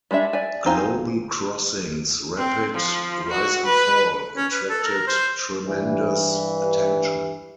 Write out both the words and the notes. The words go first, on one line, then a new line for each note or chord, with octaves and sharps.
Global Crossing's rapid rise and fall attracted tremendous attention.
G3 G#3 D4 E5
D5 E5 G#5
C4 D#4 C5 F5 G#5
C4
F3
F#4
B4
C#4
B4
A4
A#4
C5
G2 E3